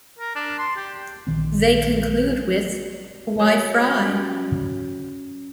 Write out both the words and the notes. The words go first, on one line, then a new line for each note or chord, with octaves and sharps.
They conclude with, Why fry?
A#4
D4
C6
G4
A#1 D#3 C4
F#3 A3 C#5
C#4